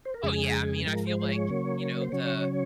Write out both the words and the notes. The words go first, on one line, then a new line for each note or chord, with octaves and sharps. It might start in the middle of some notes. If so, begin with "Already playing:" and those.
Oh, yeah, I mean, I feel like, you know, the
C5
A#4
F2 C#3 G#3 G#4
G#2 F3 G#3 A#4
C5
C#5
C#3 F#3 A#3
C5
C#3 F#3 C#4 C#5